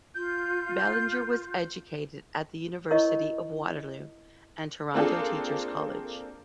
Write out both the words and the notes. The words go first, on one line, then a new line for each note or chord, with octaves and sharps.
Ballinger was educated at the University of Waterloo and Toronto Teacher's College.
F4 G6
E4 A#4 C#5 D#5 C#6
A#3 C4 D4 F4 G#4 A4